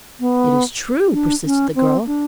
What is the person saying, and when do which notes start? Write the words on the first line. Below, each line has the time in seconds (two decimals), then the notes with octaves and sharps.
'It is true,' persisted the girl.
0.20 B3
1.13 D4
1.45 C#4
1.75 C4
2.07 D4